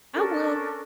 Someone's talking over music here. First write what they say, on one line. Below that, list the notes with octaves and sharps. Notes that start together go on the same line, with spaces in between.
I will
C#4 D4 A4 A#4